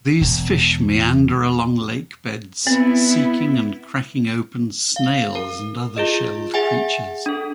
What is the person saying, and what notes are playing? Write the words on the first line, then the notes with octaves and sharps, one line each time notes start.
These fish meander along lakebeds, seeking and cracking open snails and other shelled creatures.
E1
B3 C4 E4
F5
A#4
F4 G#4 D#5
G#4 E5 F#5 G#5
D4 A4